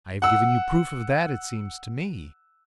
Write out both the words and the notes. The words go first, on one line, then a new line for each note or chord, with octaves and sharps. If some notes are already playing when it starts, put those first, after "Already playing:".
"I have given you proof of that, it seems to me."
F#5 E6